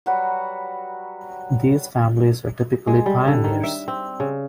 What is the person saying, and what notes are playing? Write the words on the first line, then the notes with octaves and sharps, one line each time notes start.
These families were typically pioneers.
F#3 G3 F#4 B4
G#3
G3
D3
D#3
E5
C4
C#3